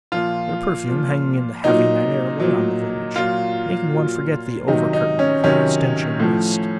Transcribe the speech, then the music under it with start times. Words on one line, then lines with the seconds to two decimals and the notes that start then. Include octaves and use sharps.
Their perfume, hanging in the heavy night air, lay on the village, making one forget the over-curtain of stenching mist.
0.12 A#2 F3 F4
0.88 A#2 F3
1.64 A#2 F#3 D#4
2.40 A#2 F#3
3.16 A#2 F#3 F4
3.92 A#2 F#3
4.67 C3 D#3 F#3 D#4
4.93 D#4
5.19 C#4
5.43 C3 D#3 F#3 C#4
6.20 A2 F3